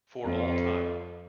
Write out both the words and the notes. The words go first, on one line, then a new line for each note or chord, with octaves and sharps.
For All Time.
F2